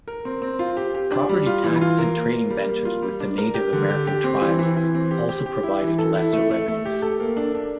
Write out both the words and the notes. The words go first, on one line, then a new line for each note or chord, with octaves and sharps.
Property tax and trading ventures with the Native American tribes also provided lesser revenues.
A#4
C4
C4
F4
G4
G4
D4
G3
F4
E3
F4
A#4
A#3
A#3
G3
A#3
F4
G3
D4
A#4
G4
D3
G4
G4
C4
E3
E3
E3
C4
G4
G4
G4
E4
E3
A4
E4
A3
A3
A3
G4
A4
A#3
D4
D4